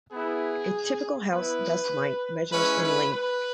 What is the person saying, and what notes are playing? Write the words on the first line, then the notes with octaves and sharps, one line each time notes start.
A typical house dust mite measures in length.
B3 E4 G#4
B3 E4 B4
G#3 C#4 E4 B4
B4
B4